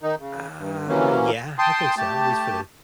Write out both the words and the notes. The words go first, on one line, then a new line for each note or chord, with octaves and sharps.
Uh, yeah, I think so, at least for the
D#3 D#4
C#3
G2
C3 E3 F#3 A#3 C#4
G5 A5 C6 D#6
A3 G4 A5